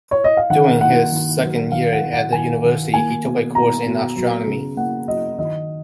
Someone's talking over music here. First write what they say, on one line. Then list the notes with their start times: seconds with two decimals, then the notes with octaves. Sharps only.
During his second year at the university he took a course in astronomy.
0.11 C#5
0.24 D#5
0.37 F5
0.50 D#3 F#5
0.80 A#3 F#5
1.12 D#3
1.41 F#3
1.72 D#3 F5
1.92 F#5
2.03 D#3
2.12 F#5
2.32 D#3 G#5
2.64 D#3
2.94 A#3 G#5
3.25 B2
3.55 B2 A#5
3.86 B2
4.16 F#3
4.47 C#3
4.77 A#3 F#5
5.08 F#3 D#5
5.38 D#3 D#5